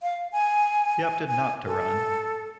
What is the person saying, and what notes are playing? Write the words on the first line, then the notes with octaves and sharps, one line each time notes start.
He opted not to run.
F5
G#5
G#5
A4